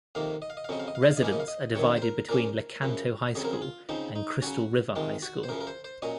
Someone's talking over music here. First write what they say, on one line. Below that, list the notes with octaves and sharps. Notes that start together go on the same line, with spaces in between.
Residents are divided between Lecanto High School and Crystal River High School.
F2 C3 D#3 A#3 F5
D#5
F5
D#5
F5
F2 C#3 F#3 C4 D#5
F5
D#5
F5
D#5
F5
D#5
F#2 C#3 F3 A#3 C#4 F5
D#5
F5
D#5
F#2 D#3 F#3 C4 C#5
C5
A#4
A#2 F3 A#3 C#4 A#4
F#2 C#3 F3
F2 C#3 F#3 C4 G#4
A#4
G#4
F4
C#3 F3 C4 D#4
D#4
C#3 F#3 C#4 F#4
C3 D#3 G#3 F4
F#4
C5
F#2 C#3 F3 A#4
A#4
C5
C5
A#2 F#3 C#4 D#5